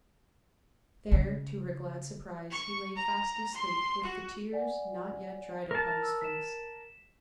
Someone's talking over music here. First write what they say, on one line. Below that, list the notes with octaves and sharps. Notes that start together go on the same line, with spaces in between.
There, to her glad surprise, he lay fast asleep, with the tears not yet dried upon his face.
C#3
C#6
A#5
C6
F#4
D5 F#5 G#5
A#4 A5
E6
B6 E7